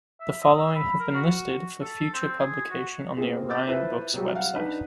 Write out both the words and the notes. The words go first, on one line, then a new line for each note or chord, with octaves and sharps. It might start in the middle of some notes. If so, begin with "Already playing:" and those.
The following have been listed for future publication on the Orion Books website.
E5
D#5
E6
B5
A#4
F#4
A4
C4
G#4
F#4
A#3 C4 F4 G#4
D6 E6 G6 A6
E4 F4 A4 B4 C5 E5
C2 F#3 G3
F5 F#5
D4 D#4 B4